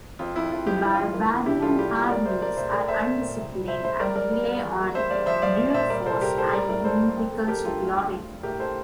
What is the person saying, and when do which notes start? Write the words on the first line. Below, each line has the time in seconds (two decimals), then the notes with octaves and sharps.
Barbarian armies are undisciplined and rely on brute force and numerical superiority.
0.19 F2 F4
0.36 F2 E4
0.51 F2 F4
0.67 F2 G4
0.76 F4
0.82 G2 E4
0.94 E3 F4
1.14 A#3
1.31 E3
1.46 C3 E4 G4
1.62 G3 F4 A4
1.78 G3 E4 G4
1.93 C2 F4
2.10 G3 A#4 D5
2.26 G3 C5 E5
2.41 G3 A#4 D5
2.57 A#2 C5 E5
2.73 A3 A#4 D5
2.88 A3 C5 E5
3.05 A3
3.21 A#2
3.36 C2
3.52 G3
3.68 C2 C5 E5
3.84 C2 C5 E5
4.00 G3 A#4 D5
4.15 G3 A#4 D5
4.32 G3
4.48 G3
4.64 E2
4.79 A#3
4.94 G3 C5 E5
5.10 G3 D5 F5
5.26 F3 C5 E5
5.42 F3 D5 F5
5.58 F3
5.70 D5
5.74 A#2 C5 E5
5.90 G3 A#4 D5
6.05 C2 A4 C5
6.21 G3 G4 A#4
6.37 A#3 A4 C5
6.53 G3 A#4 D5
6.69 A2 A#4 D5
6.85 G3 A4 C5
7.01 A#3
7.17 F2
7.33 A3
7.44 A4
7.48 F2 G4 A#4
7.64 D3 F4 A4
7.81 A3
7.96 G2
8.12 G2
8.28 G2
8.43 A2 G4 A#4
8.59 A#3 A4 C5